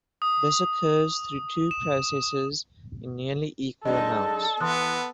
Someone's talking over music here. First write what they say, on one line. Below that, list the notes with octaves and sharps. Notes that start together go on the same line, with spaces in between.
This occurs through two processes in nearly equal amounts.
D#6
E7
F#2 G#3 D#4 A4 D5 D#5
E3 B3 C6 D#6 F#6